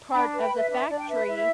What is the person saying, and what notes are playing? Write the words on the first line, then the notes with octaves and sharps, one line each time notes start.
part of the factory
D4 G5 B5
B4
G5 B5
B4 E5
D4 E5
D4 D5
G5
B4 E5
E4 E5